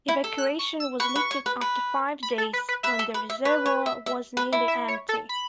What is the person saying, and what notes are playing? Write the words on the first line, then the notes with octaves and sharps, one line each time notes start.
Evacuation was lifted after five days when the reservoir was nearly empty.
E4
A4
F#6
C#6
E6
B4 C#6
B4
C#5
B4
B4
B5
A4
B4
B4
B4 E5
A4
B4
E5
B4 C#5
C#5
E5
E5
B4
E4
E5
C#5
A4
B5